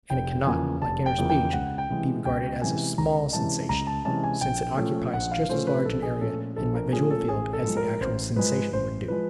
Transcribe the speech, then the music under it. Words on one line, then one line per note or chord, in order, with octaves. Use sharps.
And it cannot, like inner speech, be regarded as a SMALL sensation, since it occupies just as large an area in my visual field as the actual sensation would do.
F1 G5
E2 C#3 F3 A#3 G#5
F1 A5
G5
E2 C#3 F3 A#3
G5
C#2 F#5
G5
C3 E3 G#3 C#4
C#2 G5
C3 E3 G#3 C#4 G#5
C#2 A#5
C3 E3 G#3 C#4 A5
C#2 A#5
A5
C3 E3 G#3 C#4 A5
G#5
A#1 G5
A#2 F3 A3 C#4
A#1 F#5
F5
A#2 F3 A3 C#4 C5
B4
A#1 A4
G#4
A#2 F3 A3 C#4 A4
A#1 A4
A#4
A#2 F3 A3 C#4 G#4
A4
A1 G#4
A4
G#2 F3 G#3
A#4
A1 C5
G#2 F3 G#3 B4
A1 C5
F3 G#3 B4